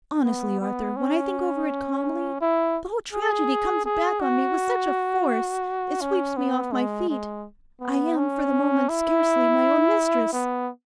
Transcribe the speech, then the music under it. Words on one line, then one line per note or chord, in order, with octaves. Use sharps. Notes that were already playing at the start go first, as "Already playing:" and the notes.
Honestly, Arthur, when I think over it calmly, the whole tragedy comes back on me with such a force it sweeps me off my feet; I am for the moment scarcely my own mistress.
B3
B3
C#4
E4
G#4
G#4
F#4
C#4
B3
G#3
G#3
B3
C#4
E4
B3